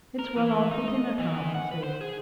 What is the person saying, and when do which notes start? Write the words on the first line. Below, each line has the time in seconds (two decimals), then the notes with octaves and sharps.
It's well on to dinner-time, I see.'
0.19 A#4
0.36 E3
0.71 D#4
0.88 D#5
1.20 E3
1.54 F#5
1.72 B4
1.84 C5
2.01 G#4